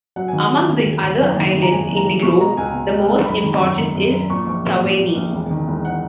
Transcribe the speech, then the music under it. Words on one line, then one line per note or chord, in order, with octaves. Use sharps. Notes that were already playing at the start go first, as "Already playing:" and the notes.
Among the other island in the group, the most important is Taveuni.
F#3 F#5
D#3 G#5
F#5
F#3
D#2
D#2
D#2
F#1
D#3
D#3
A#5
F#1 G#5
F#1
A#5
F#3
B2 C#6
G#3 A#5
C#2 G#5
B2
G#3
G#3
F#2 B5
D#3
F#2
D#3
F#2
F#2
A#2 C#6
A#1 C#6
A#2
A#2
A#2
A#1
E1
D#3
E1
F#5